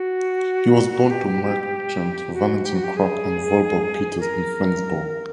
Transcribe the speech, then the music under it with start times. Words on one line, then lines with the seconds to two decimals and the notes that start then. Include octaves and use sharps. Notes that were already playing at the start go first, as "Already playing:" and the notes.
He was born to merchant Valentin Krock and Volborg Peters in Flensborg.
Already playing: F#4
1.10 G4
2.34 F#4
2.65 G4
2.75 F#4
2.84 G4
2.97 G#4
4.20 A#4